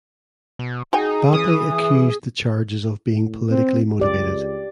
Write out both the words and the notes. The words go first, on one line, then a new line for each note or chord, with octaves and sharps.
Bapi accused the charges of being politically motivated.
B2
D#4 F#4 G#4 G5 G#5
E3 C#4 D#6
G#4
A2
C4
C#2 G4 D5